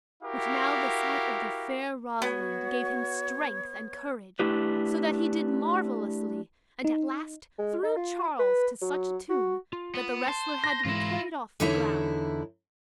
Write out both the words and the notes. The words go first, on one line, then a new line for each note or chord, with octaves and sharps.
But now the sight of the fair Rosalind gave him strength and courage, so that he did marvelously, and at last, threw Charles to such a tune, that the wrestler had to be carried off the ground.
E4 F#4 G4 A#4 F5
B3 F#4 C#5
A3 D4 E4 G4 B4
D#4
G#3
D#4
F4
B4
F#3
F#4
F4
B3
C5 A5
A#6
G#2 E3 G#3 E4 F4
E2 D3 D#4 E4 C#5 E5